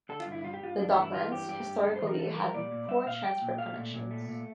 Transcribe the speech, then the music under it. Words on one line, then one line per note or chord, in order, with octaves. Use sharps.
The Docklands historically had poor transport connections.
D3 A4
F4
G2
E4
G3 F4
G4
G2 F4
G2 D4
A3
E3
E4
E3 F4
G2 G4
G2 G4
G2
G3 A4
C5
E3
A#4
G3 A4
G3 A#4
A#2 D5
A#2
G3 E5
A#2 F5
G3 G5
A#2
A3 F5
A#2
A#2
A3
A#2